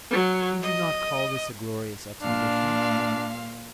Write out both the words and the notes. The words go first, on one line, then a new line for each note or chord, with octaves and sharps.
Did you not call this a glorious expedition?
F#3
D#5
A#2 D4 F5